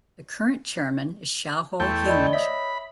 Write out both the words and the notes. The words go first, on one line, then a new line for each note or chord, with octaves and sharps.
The current Chairman is Shao Hauje.
E2 A3 G5 C6 C#6
D5 D#5 B5
C#5 E5 B5 D#6